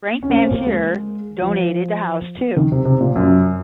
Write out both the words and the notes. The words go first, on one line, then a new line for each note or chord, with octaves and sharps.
Frank Mansur donated the house to.
C#4
A#3
C4
A#3
G#3
F3
D#3
C3
C3
A#2
F#2